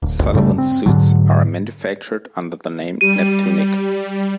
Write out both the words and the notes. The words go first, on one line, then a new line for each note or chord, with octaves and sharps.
Sullivan's suits are manufactured under the name "Neptunic".
D1
G1 D2
G2 C#3 G3 A3
C4
G#2 D3 F#3
G3 G4 D#7